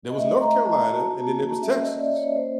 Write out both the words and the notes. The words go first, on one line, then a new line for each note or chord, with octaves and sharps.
There was North Carolina, and then there was Texas.
D#5
A3 E5
A#5
E4
A5
A#5
F#4 A5
A#3
C#4 E5
D#5
C#4 D5
C#5
A#3 C5